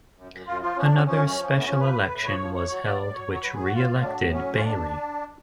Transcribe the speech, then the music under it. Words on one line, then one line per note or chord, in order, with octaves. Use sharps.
Another special election was held which re-elected Bailey.
F#2
F#2
F#2 F4
F3 F4
F3 C#4
D4
F3 C#4
F3 C#4
F#2
F3
A2
B3
F3 C#4
F3 B4
A2
A2
F3 C#5
F3
A2 C#5
F#3
F#3 D5
A2
F#3 C#5
F#3
C#5
F#3 B4
G#4
F#3
F#4
A2 F4
A2
F#3 D4
A2
F#3 C#4
A2
F4
A2 D4